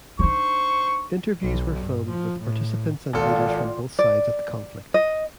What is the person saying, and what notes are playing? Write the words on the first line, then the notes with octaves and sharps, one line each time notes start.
Interviews were filmed with participants and leaders from both sides of the conflict.
D4 D#4 C5 C#6
B1
G2
F3
A2
G#1 F4 A4 D5 G5
D5
D#5